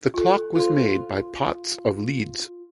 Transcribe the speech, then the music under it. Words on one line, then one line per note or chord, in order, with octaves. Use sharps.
The clock was made by Potts of Leeds.
F4 A4
F4 A4 C5 C6